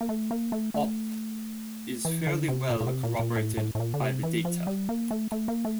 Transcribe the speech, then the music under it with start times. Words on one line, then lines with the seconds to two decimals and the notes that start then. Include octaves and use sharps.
Opp is fairly well corroborated by the data.
0.01 A#3
0.09 A3
0.31 A#3
0.52 A3
0.74 A3
2.05 E3
2.27 D3
2.48 C3
2.70 A#2
2.81 A#2
2.87 C3
3.03 A#2
3.19 A#2
3.36 A2
3.57 A2
3.75 A2
3.80 A#2
3.94 D3
4.01 C3
4.23 E3
4.45 F3
4.67 G3
4.89 A#3
5.11 A3
5.32 A3
5.48 A#3
5.65 A3